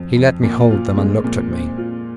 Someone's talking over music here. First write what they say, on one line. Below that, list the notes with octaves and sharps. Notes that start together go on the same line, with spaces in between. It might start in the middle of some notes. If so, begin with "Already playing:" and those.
He let me hold them and looked at me.
Already playing: F2
F2
A#2
F4
G#3
A#2
C4
F4